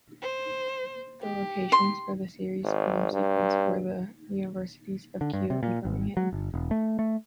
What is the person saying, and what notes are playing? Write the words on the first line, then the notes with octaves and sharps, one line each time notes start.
The locations for the series' filmed sequences were the universities of Keele and Birmingham.
C5
G4
C6
G#1
G2
D3
G2
C3
A#2
G#1
F#3
G1
E1
A3
A3